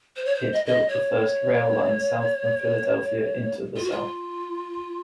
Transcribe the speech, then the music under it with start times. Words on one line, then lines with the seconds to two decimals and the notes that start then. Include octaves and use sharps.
It built the first rail line south from Philadelphia into The South.
0.16 C5
0.25 C#5
0.35 C5
0.52 D#5
0.66 D#5
0.89 C#5
3.76 F4
3.83 F#4
3.91 F4